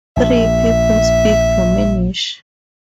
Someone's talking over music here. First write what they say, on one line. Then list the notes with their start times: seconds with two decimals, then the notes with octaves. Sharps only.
Three people speak Romansh.
0.17 A#1 E5